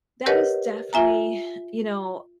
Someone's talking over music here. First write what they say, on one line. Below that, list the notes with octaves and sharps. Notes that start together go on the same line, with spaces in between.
that is definitely you know,
G4 A#4 B4 C#5 D#5 F#5
F4 E5 G#5 A#5